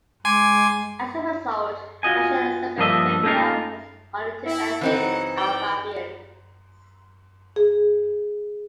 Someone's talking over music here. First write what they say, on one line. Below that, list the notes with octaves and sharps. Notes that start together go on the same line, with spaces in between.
As a result, the National Assembly of Serbia has only two ethnic Albanians.
G#3 G#5 C6 D6
F4 F#4 D#5 G#5
G2 F3 A#3 D4 D#5 E5
A3 A#3 C#4 D#4 F4 A#4
E4
C#3 E3 F#3 C4 D#4 F#5
B4 D5 G5
G#4